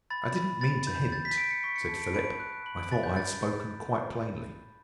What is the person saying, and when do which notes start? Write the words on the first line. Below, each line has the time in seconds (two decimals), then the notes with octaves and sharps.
"I did not mean to hint," said Philip; "I thought I had spoken quite plainly."
0.10 B5 A6
0.35 B5
0.61 B5 A6
0.87 B5 G6
1.12 G6 A6
1.25 B6
1.37 G6 D7
1.51 C#7
1.63 C#6 B6
1.76 C#7
1.89 A5
2.02 D7
2.14 B5 D7
2.40 F#6
2.66 B5 F#7
2.78 D7
2.91 B5 A6
3.03 G6
3.16 B5 A6